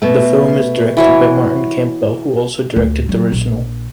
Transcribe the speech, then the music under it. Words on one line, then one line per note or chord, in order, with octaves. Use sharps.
The film is directed by Martin Campbell, who also directed the original.
B2 A3
E3 F#4 C#5
D2
F#3
A#1